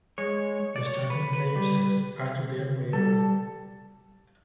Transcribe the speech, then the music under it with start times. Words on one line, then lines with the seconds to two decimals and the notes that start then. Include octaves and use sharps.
The starting player says "Are you there Moriarty?".
0.18 G#3 C#5
0.76 D5
0.86 C#5
1.10 B4
1.33 B4
1.56 G3
2.93 G3 A4